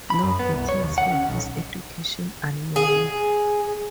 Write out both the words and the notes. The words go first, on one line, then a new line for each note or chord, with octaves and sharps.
No details of his education are known.
B5
F#2
B3
C2
C#5
D#2
F#5
C#4
B1
G#4